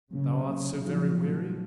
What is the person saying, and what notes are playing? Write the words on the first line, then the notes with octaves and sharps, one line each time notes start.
Thou art so very weary?
C#3 F#3 A#3 C#4
F#3 A#3 C#4
A#2 F3 F#3 A3 D#4 F#4
A#2 F#3 A3 D#4 F#4